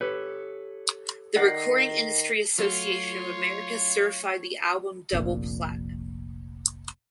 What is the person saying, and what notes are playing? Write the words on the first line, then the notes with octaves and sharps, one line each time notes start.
The Recording Industry Association of America certified the album double platinum.
G4 A4 B4 C#5
D#3 D5 F#5 A#6 C7
F#3 A3 F4 F#4 C#5
F1 A#1 A#2